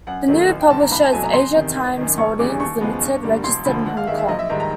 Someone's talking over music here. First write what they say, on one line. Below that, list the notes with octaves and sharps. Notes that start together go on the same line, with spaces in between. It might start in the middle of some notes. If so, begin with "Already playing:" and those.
The new publisher is Asia Times Holdings Limited, registered in Hong Kong.
F#2 F#5
D#3 F#3 A3
A1
G5
G2 D3 A5
A#5
C2 B5
A5
B2 F#3 A3 G#5
A#5
E2 C6
C3 D#3
G#1
F#2 D#3
F1 C#6
E2 C#3 E3 G3 D6
D#2 C#6
C#3 F3 G#3 B3
G2
D3 G3 A#3
E1 C6
D2 D3 F3 B5
D#2 F#5
F5
D#3 G#3 E5
E5
A#1 D#5
E5
G#2 D#3 G3 A#5
A#5